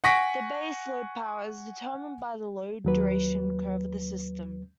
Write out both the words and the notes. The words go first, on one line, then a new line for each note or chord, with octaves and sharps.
The base load power is determined by the load duration curve of the system.
F#5 G#5 C#6 A#6 B6 D7
D#2 F#3 B4